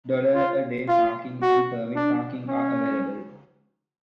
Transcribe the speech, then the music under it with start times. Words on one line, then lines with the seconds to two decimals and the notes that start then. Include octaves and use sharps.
Dollar-a-day parking and permit parking are available.
0.35 F4
0.88 F4
1.42 F#4
1.96 D4
2.48 C#4